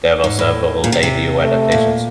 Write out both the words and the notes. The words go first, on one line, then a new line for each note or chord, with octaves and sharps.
There were several radio adaptations.
G#2
A2
A#2
C3
C3
A3
A#2